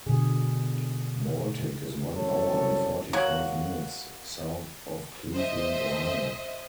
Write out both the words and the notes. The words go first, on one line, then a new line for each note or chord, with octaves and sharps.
Baltic is one hour and forty five minutes south of Cleveland, Ohio.
B2 D3 G#4
C2 F#2 A4 C#5 A5
F#3 A#3 F#4
C5 D#5 E5